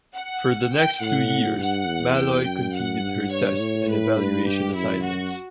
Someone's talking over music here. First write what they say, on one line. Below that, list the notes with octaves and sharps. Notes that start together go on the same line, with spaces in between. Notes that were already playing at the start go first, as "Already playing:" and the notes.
For the next two years, "Maloy" continued her test and evaluation assignments.
F#5
G5
A2 F#5
G2 F#5
E2
G5
F#2
F#5
G2
C#5
A2
B4
G2
G4
F#2 E4
F#4